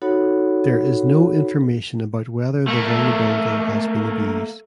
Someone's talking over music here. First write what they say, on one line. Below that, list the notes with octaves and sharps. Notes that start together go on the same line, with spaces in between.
There is no information about whether the vulnerability has been abused.
D#4 F#4 A4 C#5 F#5 B5
A3 A#3